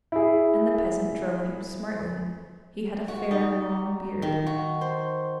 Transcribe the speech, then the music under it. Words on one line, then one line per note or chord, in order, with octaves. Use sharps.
And the peasant drove him smartly, he had a fair, long beard.
E4 G#4
F#4
D#4
D#3
F#4
C5